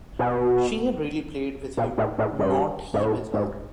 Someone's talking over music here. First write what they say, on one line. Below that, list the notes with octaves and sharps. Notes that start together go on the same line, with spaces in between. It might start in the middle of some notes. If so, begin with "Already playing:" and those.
She had really played with him, not he with her.
B2
A#2
A2
A2
G2
G#2
A2
G#2